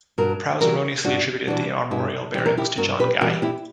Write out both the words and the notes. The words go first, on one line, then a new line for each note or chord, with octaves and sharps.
Prowse erroneously attributed the armorial bearings to John Guy.
G2 F#4 A#4
E3 G3 F#4 A#4
G2 D4 F#4
E3 G3 D4 F#4
G2 E4 G4
E3 G3 G4
A#4
E4 G4
G2 F#4 A#4
G4 B4
E3 G3 F#4 A#4
E4 G4